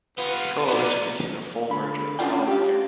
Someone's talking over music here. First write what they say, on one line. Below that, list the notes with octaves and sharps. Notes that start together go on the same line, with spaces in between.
The coalition became a full merger the following year.
B3 F4 B4
B3 D#4 D5
D3 B5
C#4 D4 F4 D5 F#5 G5
G4 F5